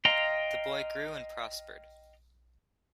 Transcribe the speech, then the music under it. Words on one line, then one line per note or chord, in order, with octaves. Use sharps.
The boy grew and prospered.
D#5 F5 G5 A#5 C6